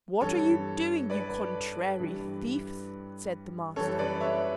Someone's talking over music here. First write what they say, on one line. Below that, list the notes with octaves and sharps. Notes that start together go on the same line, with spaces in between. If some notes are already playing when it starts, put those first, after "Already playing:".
"What are you doing, you contrary thief?" said the master.
G2 E3 G3 A4 C#5
B4 D5
G2 E3 G3
F#2 E3 G3 A4 C#5
B4 D5
C#5 E5